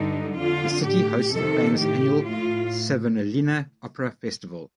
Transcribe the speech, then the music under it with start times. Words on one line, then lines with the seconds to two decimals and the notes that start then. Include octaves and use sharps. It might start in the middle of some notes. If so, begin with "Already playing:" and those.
The city hosts the famous annual Savonlinna Opera Festival.
Already playing: G2 D3 D#4
0.37 F2 D3 F4
0.84 A2 G4
1.31 F2 C3 D#3 A4
1.79 A2 G4
2.26 A2 F4